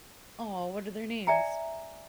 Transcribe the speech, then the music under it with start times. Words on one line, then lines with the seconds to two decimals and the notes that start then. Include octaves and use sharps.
Aw, what are their names?
1.27 D5 E5 G#5 A#5